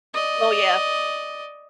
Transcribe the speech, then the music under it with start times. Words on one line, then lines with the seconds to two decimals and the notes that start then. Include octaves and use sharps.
Oh, yeah.
0.14 D5 D#5